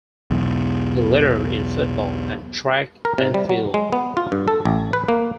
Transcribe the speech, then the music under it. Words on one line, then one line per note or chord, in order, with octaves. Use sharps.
He lettered in football and track and field.
B1 E2
A#4
C3
G3
F#3
G#3
B3
F4
G2
A4
A1
B4
A#3